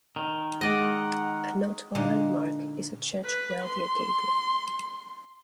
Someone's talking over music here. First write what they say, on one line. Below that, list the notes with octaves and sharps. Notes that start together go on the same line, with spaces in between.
A notable landmark is a church Weldiya Gebri'el.
D#3
G#3 D5 D#5 F#5
A#2 D3 G#3 D#4
B4
C6